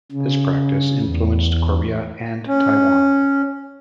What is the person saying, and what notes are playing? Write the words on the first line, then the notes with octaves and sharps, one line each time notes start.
This practice influenced Korea and Taiwan.
C#3
E2
C#4